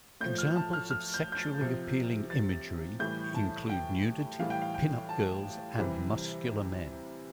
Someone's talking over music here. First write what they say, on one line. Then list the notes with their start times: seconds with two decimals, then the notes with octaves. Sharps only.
Examples of sexually appealing imagery include nudity, pin-up girls, and muscular men.
0.21 A2 F3 G6
0.38 F6
0.56 A5
0.73 F6
0.91 F6
1.14 G6
1.32 G6
1.37 A6
1.61 C3 F3
2.30 A6
3.00 A2 E3 G3 G6
3.35 A5
3.69 G5
4.40 A2 E3 G3 F5
4.50 G5
4.62 F5
4.74 G5
5.09 A5
5.78 C3 E3 G3